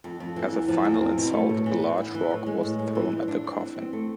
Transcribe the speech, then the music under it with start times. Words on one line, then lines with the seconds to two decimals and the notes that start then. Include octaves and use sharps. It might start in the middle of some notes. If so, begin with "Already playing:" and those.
As a final insult, a large rock was thrown at the coffin.
0.04 F2
0.20 F2
0.36 E3
0.53 E2
0.68 F3
0.85 E2
1.01 C4
1.18 B2
1.33 A3
1.50 A2
1.66 E3
1.82 B3
1.98 E4
2.15 E3
2.31 A2
2.46 G#3
2.63 A2
2.79 G#3
2.95 E3
3.12 F2
3.28 D4
3.44 E3
3.60 C4
3.76 C4
3.93 A3